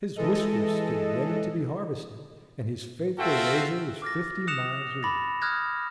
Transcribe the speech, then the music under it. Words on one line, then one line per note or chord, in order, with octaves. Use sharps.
His whiskers stood ready to be harvested, and his faithful razor was fifty miles away!
E3 G#3 A4 D#5
C4 F4 F#4 A4 E5 G5
D6 F6 A6 A#6
D#6 F#6 A#6 C#7 E7 F7
B5 D6 A6 A#6 C#7
D#6 F6 F#6 G#6 A#6